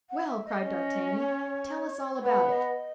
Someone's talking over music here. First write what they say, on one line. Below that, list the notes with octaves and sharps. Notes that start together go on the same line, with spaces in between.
"Well!" cried d'Artagnan, "tell us all about it."
F#5
E5
D#5
C#4
C#5
B3 B4
D#5